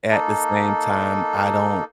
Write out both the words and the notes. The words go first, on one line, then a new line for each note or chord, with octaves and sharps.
At the same time, I don't
A#3 D#4 A4